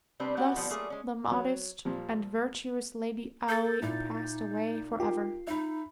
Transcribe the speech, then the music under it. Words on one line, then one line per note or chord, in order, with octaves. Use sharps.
Thus the modest and virtuous Lady Aoi passed away forever.
C3 G3 C4 D4 B4
B3 C#4 D4 F#4 G4 F#5
B2 D3 F3 G3 B3
F#3 G3 A3 A#3 F4 G#4
G#3 C#4
F#3
A#2 F3 G3
A4 G6 A6
A#2 D#4 E4
F4 G4 A#4
D#4 E5 B5